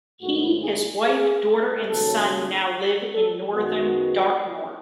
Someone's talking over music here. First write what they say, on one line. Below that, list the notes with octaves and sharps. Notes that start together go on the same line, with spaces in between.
He, his wife, daughter and son now live in northern Dartmoor.
G#2 D#3 F#3 A3 F#4
G#4
G#4
D#2 C#3 F#3 A4
A4
F#2 D#3 G#3 B3 F#4